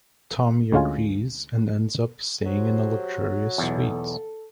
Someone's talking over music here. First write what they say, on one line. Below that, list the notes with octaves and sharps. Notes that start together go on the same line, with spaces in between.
Tommy agrees and ends up staying in a luxurious suite.
D2 G#3 C#4 F4 G#5
F#3 G4 C5
B1 E2 A4